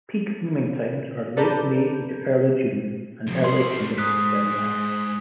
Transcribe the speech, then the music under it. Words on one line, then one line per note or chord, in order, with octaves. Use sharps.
Peak blooming times are late May into early June, and early to mid-September.
A4 B4 D5 A5 A#5 G6
D3 F3
G3 C5 C6
G#2 D#6 F#6 B6